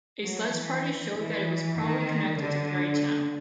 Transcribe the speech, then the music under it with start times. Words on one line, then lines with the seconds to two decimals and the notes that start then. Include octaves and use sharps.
A sledge party showed that it was probably connected to Parry Channel.
0.24 F#3
0.54 E3
1.16 E3
1.78 D#3
2.39 D3